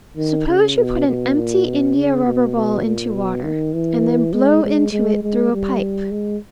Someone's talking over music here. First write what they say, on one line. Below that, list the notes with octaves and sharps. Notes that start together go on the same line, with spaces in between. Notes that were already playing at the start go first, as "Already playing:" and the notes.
Suppose you put an empty india-rubber ball into water, and then blow into it through a pipe.
D#3
C#3
B2
B2
A#2
B2
C#3
B2
B2
A#2
B2
D#3
E3
G#3
G#3
G#3
G#3
G3
G#3